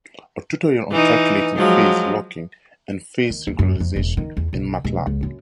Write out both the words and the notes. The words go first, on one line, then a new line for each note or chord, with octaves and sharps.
A tutorial on calculating Phase locking and Phase synchronization in Matlab.
E3 D#4
F3 F#3 G#3
D#3
E2
F#2
F2
E1
D#3
E2
B1
E1
C#2
F#2